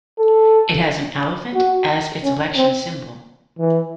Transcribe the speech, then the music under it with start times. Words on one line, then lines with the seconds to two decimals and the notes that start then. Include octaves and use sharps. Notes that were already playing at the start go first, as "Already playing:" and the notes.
It has an elephant as its election symbol.
0.19 A4
1.55 F#4
2.24 C#4
2.57 C4
3.59 E3